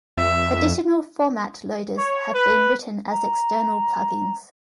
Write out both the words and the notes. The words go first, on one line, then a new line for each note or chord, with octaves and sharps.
Additional format loaders have been written as external plugins.
F2 E5
C#5
B4
A#5